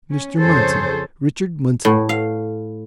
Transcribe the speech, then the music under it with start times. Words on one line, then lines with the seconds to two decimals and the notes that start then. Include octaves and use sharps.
"Mr. Munson, Richard Munson."
0.11 C#4
0.40 F2 C#3 G#4 A4 C5 C#5
1.85 A2
2.09 F5